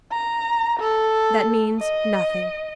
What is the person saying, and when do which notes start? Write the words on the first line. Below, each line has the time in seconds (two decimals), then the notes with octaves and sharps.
That means nothing.
0.11 A#5
0.80 A4
1.79 D#5